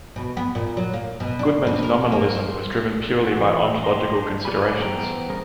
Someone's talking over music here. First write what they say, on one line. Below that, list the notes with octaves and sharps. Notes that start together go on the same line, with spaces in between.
Goodman's nominalism was driven purely by ontological considerations.
B2
B3
A#2
F#3
A#3
B2
D4
B2
A#4
A#3
C5
E3 F#4
G4 D#5 C6
D4
B4 C#5 D5 G#5 B5
E3 B3 C5 G5 A#5
G3 C#4 G#4 A#4